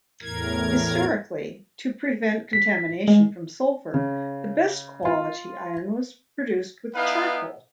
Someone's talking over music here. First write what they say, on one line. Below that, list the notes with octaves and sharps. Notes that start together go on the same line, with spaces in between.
Historically, to prevent contamination from sulfur, the best quality iron was produced with charcoal.
E2 A2 A#4 G#6
B6
G#3
C#3
F4
B3 D#4 E4 B4 F5 G5